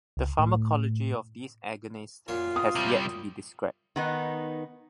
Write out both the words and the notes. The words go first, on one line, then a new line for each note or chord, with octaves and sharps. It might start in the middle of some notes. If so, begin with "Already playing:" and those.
The pharmacology of these agonists has yet to be described.
C#2
A2
F#2 A#2 F4 C#5
D#6
C3 G3
D#3 B3 D#4